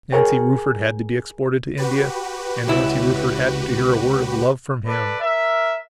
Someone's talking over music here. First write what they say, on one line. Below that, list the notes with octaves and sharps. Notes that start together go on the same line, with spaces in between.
Nancy Rufford had to be exported to India, and Nancy Rufford hadn't to hear a word of love from him.
G#4 A#4 C#5 G5
F#4 G4 B4
C#2 E4
A4 B4 D5
A#4 E5